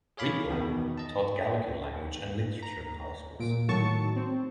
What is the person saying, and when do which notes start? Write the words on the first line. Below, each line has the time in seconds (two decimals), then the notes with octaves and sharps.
Rego taught Galician language and literature in high schools.
0.17 G#4 C#5 F5 B5 D6
0.50 E2 B2 D#3
0.98 D#5 A5
2.63 A#5
3.40 A#2 D7
3.68 A2 D#3 F#3 A5 C#6
4.16 C4